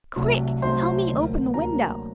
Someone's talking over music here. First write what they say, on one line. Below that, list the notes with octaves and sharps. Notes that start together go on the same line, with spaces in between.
"Quick, help me open the window."
C2 C3 F#3 A3
C2 C3 F#3 A3 C5 C6
D2 D3 F#3 A#3
D2 D3 F#3 A#3 A#4 A#5